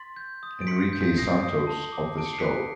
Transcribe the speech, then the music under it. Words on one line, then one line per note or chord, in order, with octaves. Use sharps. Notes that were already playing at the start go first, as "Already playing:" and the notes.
Enrique Santos, of the Sto.
Already playing: C6 A6 B6
G6
D#6
D7
C6 B6 C#7
G6
D#6 A#6 C7
D#6
A5
D6
A5 D7
C#7
C7
F#6 B6 C#7